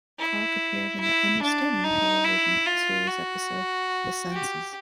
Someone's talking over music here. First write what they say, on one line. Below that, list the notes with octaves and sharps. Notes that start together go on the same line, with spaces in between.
Cog appeared in the "Understanding" television series episode "The Senses".
E4
E4
D4
D#4
E4
F4
F#4
G4